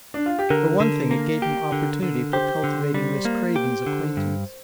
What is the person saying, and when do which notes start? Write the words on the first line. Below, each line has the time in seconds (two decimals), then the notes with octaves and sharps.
For one thing, it gave him opportunity for cultivating Miss Craven's acquaintance.
0.14 D4
0.26 F4
0.39 G4
0.50 D3 A#4
0.80 D3
1.11 A#3
1.42 G4
1.72 D3
2.03 D3
2.33 G4 C5
2.64 D3
2.94 G3
3.25 A#3
3.56 G4
3.86 D3
4.17 G2